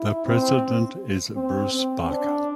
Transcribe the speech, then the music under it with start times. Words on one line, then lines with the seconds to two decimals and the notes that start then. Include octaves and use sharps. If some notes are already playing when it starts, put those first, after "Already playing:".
The president is Bruce Barker.
Already playing: E4
0.26 C4
1.36 C4
1.73 C4
2.10 D4